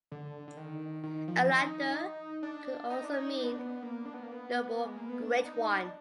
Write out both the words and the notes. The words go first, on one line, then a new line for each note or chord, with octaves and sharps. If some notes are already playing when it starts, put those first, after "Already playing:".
Alatar could also mean "Noble, great one".
D3
D3
D#3
D#3
F3
D#4
D4
D#4
D4
D#4
D4
B3
D4
B3
A#3
D4
B3
A#3
B3
G#3
A#3
B3
D4
D#4
D4